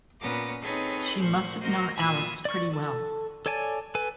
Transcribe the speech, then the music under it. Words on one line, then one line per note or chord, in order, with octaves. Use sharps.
She must have known Alex pretty well.
A#2 B3 C#4 B4 A#5 D6
C4 D#4 G#4 A4 B4 C#5
A#2 A3 C5 C#6 F#6
F#4 A#4 C5 D#5
A#2 F4 B5 D#6 E6 G#6
D5 C#6
A4
A4 C#5 D5 G#5 A5
A4 B4 G#5